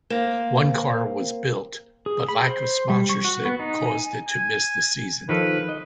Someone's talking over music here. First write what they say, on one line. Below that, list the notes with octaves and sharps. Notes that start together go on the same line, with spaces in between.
One car was built, but lack of sponsorship caused it to miss the season.
A#3 C4
G#4
B5
C5
G3
C#6
F#4
B3
D#4
G#5
G#5
D#3 F3 A4 B4
D#5